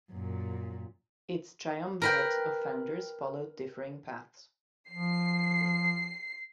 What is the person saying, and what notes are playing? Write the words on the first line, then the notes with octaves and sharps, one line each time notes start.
Its triumvirate of founders followed differing paths.
F#2 A#2
A#4 B4 G5
F3 C7